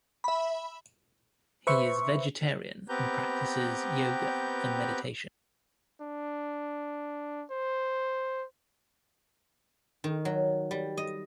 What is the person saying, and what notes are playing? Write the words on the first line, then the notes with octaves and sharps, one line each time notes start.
He is vegetarian and practices yoga and meditation.
E5 B5
B4 C5 E5 C#6
B3 C4 G4 B4 A#5 G6
D4
C5
D#3
F#3
G3
D#5